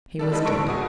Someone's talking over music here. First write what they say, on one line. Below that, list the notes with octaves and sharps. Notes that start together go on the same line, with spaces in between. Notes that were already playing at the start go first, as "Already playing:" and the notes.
He was dead!
G3 D4 A4
D3 G3 G#3 B3 A4 B4
A5 C#6 E6 A#6 D7
G1 F#4 G#4 D#6